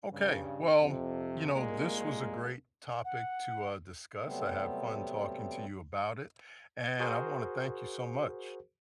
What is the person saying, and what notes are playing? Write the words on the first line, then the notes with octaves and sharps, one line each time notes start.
Okay, well, you know, this was a great topic to, uh, discuss. I had fun talking to you about it, and I wanna thank you so much.
G2 C#3
F2 C3
C2 A#2 G#3 A#3
F#5
C3 F#3 G3 A3 B3 C4
F#4 G#4 A#4 C5